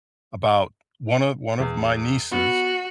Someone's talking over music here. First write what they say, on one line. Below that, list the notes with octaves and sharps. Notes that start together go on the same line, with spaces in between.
about one of one of my nieces,
E2
B3 F#4